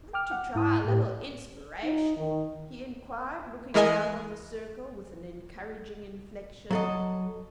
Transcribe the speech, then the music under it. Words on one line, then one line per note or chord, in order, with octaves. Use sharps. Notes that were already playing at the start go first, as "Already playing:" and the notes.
"Want to try a little inspiration?" he inquired, looking round on the circle with an encouraging inflexion.
G5 D6 F6
F#5
G#2 E4 A5 D#6
A2 G4
D#4
D#3
E3 G#3 A#4 D#5 G#5
F#3 A4 D#5